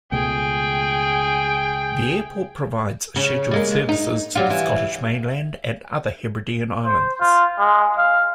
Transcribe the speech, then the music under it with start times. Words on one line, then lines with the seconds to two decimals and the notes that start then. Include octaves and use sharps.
The airport provides scheduled services to the Scottish mainland and other Hebridean islands.
0.12 C#2 B2 A3 G#4 G5
3.16 C#3
3.51 G3 G#3 A#3
3.89 D#4
4.35 F#3 G3 F4
4.50 E3
6.85 C5
7.20 F4
7.59 G#3
7.97 F5